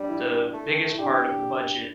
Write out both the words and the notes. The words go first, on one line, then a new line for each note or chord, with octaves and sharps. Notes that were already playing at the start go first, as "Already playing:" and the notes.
the biggest part of the budget
Already playing: G3 D4
E4
A3
E4
D4 G4